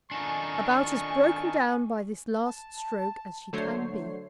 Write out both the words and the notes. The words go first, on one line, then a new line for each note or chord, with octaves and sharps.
'About as broken down by this last stroke as she can be.'
D#3 D4 D#4 F4 A4 G#5 C#6
A5
D3 F#3 A3 C5 C#5 C7